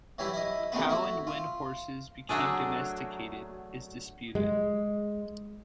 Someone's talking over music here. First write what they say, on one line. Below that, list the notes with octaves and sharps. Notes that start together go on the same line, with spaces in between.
How and when horses became domesticated is disputed.
E3 F#3 G3 D4 E4
E4 D#5
A1 C3 A3 B3 B4
E4 F#4
F4
F#3 A3 D4 G#4
G#3